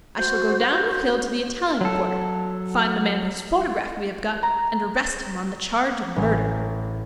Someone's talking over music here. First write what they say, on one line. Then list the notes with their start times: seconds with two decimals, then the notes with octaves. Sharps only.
I shall go down with Hill to the Italian Quarter, find the man whose photograph we have got, and arrest him on the charge of murder.
0.18 F#4 C5 G6
1.81 F#3 A4
4.43 A#5
6.16 A1